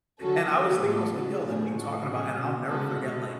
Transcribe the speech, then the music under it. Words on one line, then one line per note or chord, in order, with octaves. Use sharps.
and I was thinking I was like, "Yo, like what are you talking about?" And I'll never forget like,
D3 F#3 C#4 F#4 A4
F3 B3 D4 F#4
A2 G#3 B3 F4 A4
C#3 G#3 B3 F#4 A4
A2 F3 A3 D4 G#4
A2 G#3 C#4 F#4 A4
A2 F#3 C#4 G#4
B2 F#3 C#4
C#3 G#3 B3 F#4 A4
B2 G#3 C#4